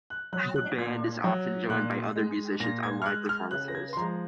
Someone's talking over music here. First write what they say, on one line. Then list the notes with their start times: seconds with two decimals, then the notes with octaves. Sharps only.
The band is often joined by other musicians on live performances.
0.10 F#6
0.33 F#3 F#6
0.56 F#6
0.78 A#2 G#6
1.24 F#3
1.69 A#2 F#6
2.15 G#3
2.60 A#2 A#6
2.83 G#6
3.02 F6
3.06 G#3 F#6
3.29 F6
3.51 C#3 F#6
3.68 A#6
3.75 G#6
3.93 C6
3.97 F3 A#5
4.01 G#3